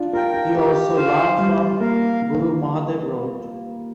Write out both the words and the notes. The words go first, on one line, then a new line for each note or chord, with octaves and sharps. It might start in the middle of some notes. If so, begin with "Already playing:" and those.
He also learned from Guru Mahadev Rout.
Already playing: D4 F4
F4 A#4 G5
F4
F4 G4
F4 C5 F5
G3 F4
A#3 A#4 F5